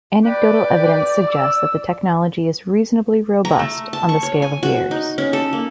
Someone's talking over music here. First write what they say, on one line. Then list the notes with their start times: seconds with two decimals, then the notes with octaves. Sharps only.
Anecdotal evidence suggests that the technology is reasonably robust on the scale of years.
0.25 B4 D5 G5
1.29 E6
3.45 A#5
3.59 A3
3.93 A5
4.09 C#6
4.23 C#5
4.42 G#5
4.63 F#4
4.91 D#4
5.18 C#4
5.33 A4
5.53 A#3